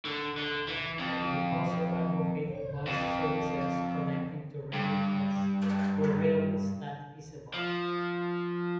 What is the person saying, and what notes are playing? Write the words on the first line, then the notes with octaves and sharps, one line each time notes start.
They also advocate bus services connecting to railheads where rail is not feasible.
D3
D3
E3
F2
F2
G2
F3